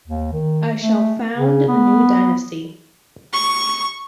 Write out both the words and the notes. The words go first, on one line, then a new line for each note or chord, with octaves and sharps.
I shall found a new dynasty.
D#2
D#3
A3
C#3
B3
C#6